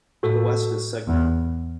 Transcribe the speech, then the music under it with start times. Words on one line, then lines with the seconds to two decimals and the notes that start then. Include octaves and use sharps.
To the west is Segner.
0.23 A2 F#4 A4
1.08 E2